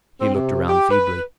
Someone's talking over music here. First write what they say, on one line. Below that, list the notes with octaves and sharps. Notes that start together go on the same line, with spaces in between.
He looked around feebly.
C4
C3
G4
B4